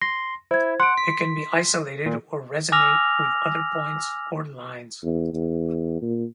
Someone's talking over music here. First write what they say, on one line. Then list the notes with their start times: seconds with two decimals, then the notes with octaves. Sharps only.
It can be isolated or resonate with other points or lines.
0.02 C6 A#6
0.51 E4 C5 G#6
0.80 F#5 C6 D7
0.98 B6
2.06 A#2
2.72 G#5 D6 E6 F6 A#6 F7
5.04 E2
5.34 E2
6.02 A#2